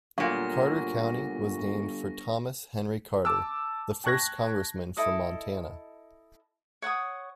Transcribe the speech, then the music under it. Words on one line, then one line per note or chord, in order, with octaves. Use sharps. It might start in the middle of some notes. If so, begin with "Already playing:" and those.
Carter County was named for Thomas Henry Carter, the first congressman from Montana.
G1 A#2 F#3 F5 C#6 A#6
A5 D6 E6
G5 A5 C#6 F#6 G#6 A#6
E4 A4 D#5 D#6
C#5 F#5 C#6 D#6